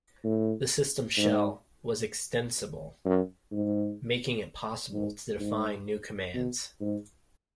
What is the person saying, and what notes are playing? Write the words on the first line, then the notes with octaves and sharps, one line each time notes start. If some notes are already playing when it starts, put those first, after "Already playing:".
The system shell was extensible, making it possible to define new commands.
A2
G#2
F#2
G#2
G#2
G#2
B2
G#2